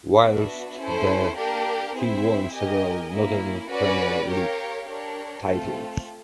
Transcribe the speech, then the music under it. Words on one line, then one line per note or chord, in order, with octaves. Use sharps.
Whilst there, he won several Northern Premier League titles.
B3 D4 F#4 B4 E5
C#4 E4 A4 C5
A#3 D4 G4 A#4
C4 E4 G#4 C5 E5
G4 A#4 D#5 G#5
A#3 C#4 E4
C#4 F#4 B4 D5
G4 A#4 C#5 F5
D4 G4 A#4 C#5
A3 C4 F4 A4